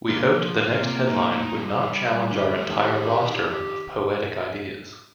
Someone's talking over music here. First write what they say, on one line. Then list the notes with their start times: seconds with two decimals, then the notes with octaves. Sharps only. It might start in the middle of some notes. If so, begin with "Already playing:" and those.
We hoped the next headline would not challenge our entire roster of poetic ideas.
0.08 D3 A#3
0.34 F3
0.58 F4
0.77 A#2
0.83 C3 A#3
1.07 A#2 D#4
1.32 A#2 D#4
1.40 A2
1.47 A#2
1.57 G3
1.81 G3
2.06 G3
2.31 D3 G4
2.55 A3
2.68 D#3
2.80 G4
3.06 D4
3.30 G4